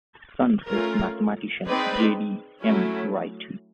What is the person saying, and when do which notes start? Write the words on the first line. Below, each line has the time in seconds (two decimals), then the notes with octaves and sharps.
His son is mathematician J. D. M. Wright.
0.67 A3 C#4 F4 A#4
1.63 C4 D#4 G#4 B4 D5
2.62 F#3 A3 C#4 E4